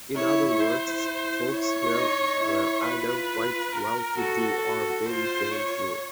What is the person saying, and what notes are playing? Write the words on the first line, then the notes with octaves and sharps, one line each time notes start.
In other words, folks here were either quite well-to-do or very damn poor.
E4 C#5
E4 C5
E4
E4 C#5
D#4
E4
F4 B4
A#4
F#4 A4
F#4
F4 C5
C#5